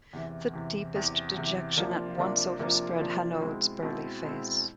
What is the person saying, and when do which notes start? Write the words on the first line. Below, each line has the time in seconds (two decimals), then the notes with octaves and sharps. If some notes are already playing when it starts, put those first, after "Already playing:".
The deepest dejection at once overspread Hanaud's burly face.
0.13 E2 C3 E3
0.53 E2 C3 E3
0.95 E2 C3 E3
1.36 E2 C3 E3
1.77 C3 F3 A#3 D4 F4
2.18 C3 F3 A#3 D4 F4
2.59 C3 F3 A#3 D4 F4
3.00 C3 F3 A#3 D4 F4
3.41 B2 G#3 C4 E4
3.82 B2 G#3 C4 E4
4.23 B2 G#3 C4 E4